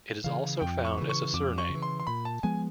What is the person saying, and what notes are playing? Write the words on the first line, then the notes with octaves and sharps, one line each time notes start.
It is also found as a surname.
C#3 E3 F5
F2 G5
C#6
C#3 E3
C#6
F2 D6
C#6
C#3 E3
C6
C6
A#2 B5
A5
F3 G#3 B3 G#5